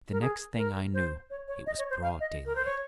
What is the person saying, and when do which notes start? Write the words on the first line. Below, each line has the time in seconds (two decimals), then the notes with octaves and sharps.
The next thing I knew it was broad daylight.
0.12 A#4
0.21 G#4
0.57 A#4
0.94 C5
1.30 C#5
1.48 C#5
1.66 D#5
1.78 C#5
1.90 C5
2.02 F5
2.20 D#5
2.46 A#4
2.56 C5
2.65 C#5